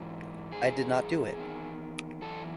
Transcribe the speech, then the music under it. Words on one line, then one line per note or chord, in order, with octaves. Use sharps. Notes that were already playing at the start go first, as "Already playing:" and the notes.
I did not do it.
Already playing: G#2 E3
G#2 E3 G#4
E2 D#3
F#2 E3 A4